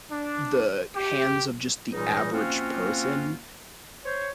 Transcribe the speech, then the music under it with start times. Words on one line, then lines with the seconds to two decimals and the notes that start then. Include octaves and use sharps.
the hands of just the average person
0.11 D4
0.94 G4
1.93 C#2 A#2 E3 G3 D#4
2.32 F3 A#3 C4 C#4 F4 F#4
4.05 C5 C#5